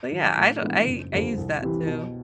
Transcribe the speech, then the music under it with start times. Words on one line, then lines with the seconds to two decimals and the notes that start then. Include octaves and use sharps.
But, yeah, I d I I used that too.
0.11 D#3 F#3
0.37 A2
0.61 E3 G#3 B3 D4
0.87 F#1
1.12 F2 D3 G3
1.37 C2
1.62 C3 E3
1.87 B2